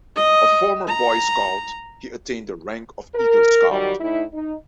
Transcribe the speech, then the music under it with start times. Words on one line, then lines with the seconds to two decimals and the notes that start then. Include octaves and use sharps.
A former Boy Scout, he attained the rank of Eagle Scout.
0.16 D#5
0.88 A#5
3.14 A#4
3.69 D#3 F#3 G3
3.99 A2 D#4 E4
4.34 D#4